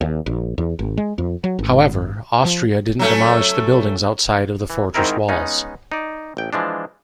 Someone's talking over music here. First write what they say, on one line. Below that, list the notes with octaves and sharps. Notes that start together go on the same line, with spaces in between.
However, Austria didn't demolish the buildings outside of the fortress walls.
D#2
A#1
E2
G#1
G#3
F2
F#3
G#1
F3
F#3 A3 C#4
E3
G#2 D#3 C4 D#4 E4 A#4
G#3 B3 C#4 D#4
D#4 D5
A1 G5
E3 F3 G#3 D4